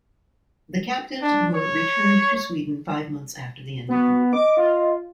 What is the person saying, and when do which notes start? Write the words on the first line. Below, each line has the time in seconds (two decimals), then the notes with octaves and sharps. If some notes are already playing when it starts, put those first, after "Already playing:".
The captives were returned to Sweden five months after the end of the war.
1.22 D4
1.54 C#5
3.88 B3 F#4
4.33 D#5 D6
4.57 F4